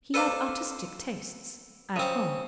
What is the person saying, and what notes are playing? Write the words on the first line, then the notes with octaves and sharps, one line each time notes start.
He had artistic tastes--at home.
A4 B4 C5 F5 D6
C#3 C4